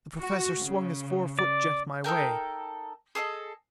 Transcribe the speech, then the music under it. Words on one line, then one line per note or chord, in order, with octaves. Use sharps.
The Professor swung his four-foot jet my way.
F#4
C#3
D5
D#4 A4 A#4 G5
G#4 A4 C5 D#5